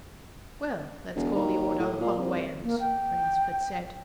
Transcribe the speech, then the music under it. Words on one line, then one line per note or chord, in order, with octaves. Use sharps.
"Well, let's call the order Hollowayans," Rainsford said.
E1
D#2
A2
A#2
C2
A#3
G5